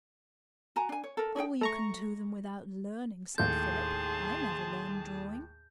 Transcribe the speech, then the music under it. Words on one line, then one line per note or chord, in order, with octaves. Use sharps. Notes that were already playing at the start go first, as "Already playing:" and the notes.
"Oh, you can do them without learning," said Philip; "I never learned drawing."
F#4 G#5 A#5
D4 G#5
C#5
A4 A#4
D#4 G#4 C#5 G5
A3 A#5 C#6
D#2 A2 G#4 A4 A5 C6 G6